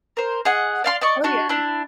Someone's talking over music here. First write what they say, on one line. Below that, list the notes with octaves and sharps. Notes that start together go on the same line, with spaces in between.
Oh, yeah.
A#4 C5
G#4 D#5 F#5
D5 F5 C6
D5 D#5 C#6
D4 F#4 C#6
D4 E4